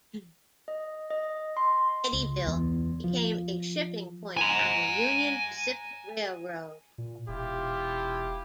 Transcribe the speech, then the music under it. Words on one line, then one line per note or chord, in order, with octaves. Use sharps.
Eddyville became a shipping point on the Union Pacific Railroad.
D#5
D#5
C6
C#2
E2
F3
G#5 A#5
A#2
E1 E4 F4 G4